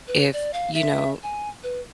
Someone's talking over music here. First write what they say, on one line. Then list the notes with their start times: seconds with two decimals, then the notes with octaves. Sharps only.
if, you know,
0.08 B4
0.33 D5
0.53 F5
0.74 E5
1.23 G#5
1.63 B4